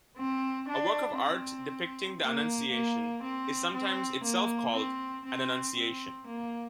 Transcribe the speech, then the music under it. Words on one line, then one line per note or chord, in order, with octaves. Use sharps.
A work of art depicting the Annunciation is sometimes itself called an Annunciation.
C4
D4
C4
A#3
A#3
C4
C4
A#3
C4
C4
C4
A#3